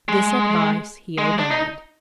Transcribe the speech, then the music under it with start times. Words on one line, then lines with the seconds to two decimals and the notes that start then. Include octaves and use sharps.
This advice he obeyed.
0.09 G#3
1.18 G#3
1.39 D4
1.51 D#4